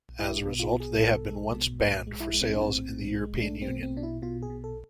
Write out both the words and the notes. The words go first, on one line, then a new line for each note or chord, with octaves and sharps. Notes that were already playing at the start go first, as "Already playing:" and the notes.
As a result, they have been once banned for sales in the European Union.
G#3 E4
B2
F4
B2
G#4
B2 A4
G#3
B2
A2 B4
G#3
E4
G#3
C4
D4
A2 C4
A2
G#3
A3 D4
C4
B2
C4
B2 D4
E4
B2 F4
G#4
B2
A4